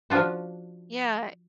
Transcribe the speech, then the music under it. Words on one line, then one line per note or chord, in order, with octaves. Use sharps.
Yeah, eh
F3 D4 F4 F#4